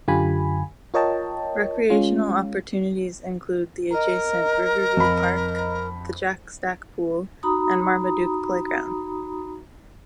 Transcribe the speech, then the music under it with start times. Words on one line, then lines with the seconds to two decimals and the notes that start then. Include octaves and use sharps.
Recreational opportunities include the adjacent Riverview Park, the Jack Stack pool, and Marmaduke Playground.
0.08 F#2 D3 F4 G4 G#5 B5
0.94 F4 A#4 C#5 D#5 G5 A5
1.90 G#3 C#4 F4
3.91 A#4 D#5 A#5
4.97 F2 B5
7.43 D#4 F#4 A#5 B5 D#6